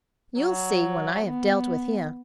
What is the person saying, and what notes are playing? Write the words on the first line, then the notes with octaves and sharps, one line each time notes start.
'You'll see when I have dealt with him.
F#3
B3